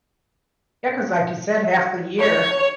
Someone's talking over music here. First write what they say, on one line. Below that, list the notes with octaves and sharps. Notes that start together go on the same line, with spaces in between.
Yeah, 'cause like you said, half the year,
C#5